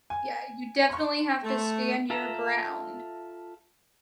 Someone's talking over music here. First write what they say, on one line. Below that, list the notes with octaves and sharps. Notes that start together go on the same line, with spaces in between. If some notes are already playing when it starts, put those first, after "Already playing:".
Yeah, you definitely have to stand your ground.
G#5
C6 C#6
A3
F4 A4 E5 A5 A#5